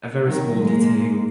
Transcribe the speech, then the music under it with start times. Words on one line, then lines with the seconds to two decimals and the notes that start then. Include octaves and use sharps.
A very small detail.
0.24 D#3 F#3
0.61 G#3 A#3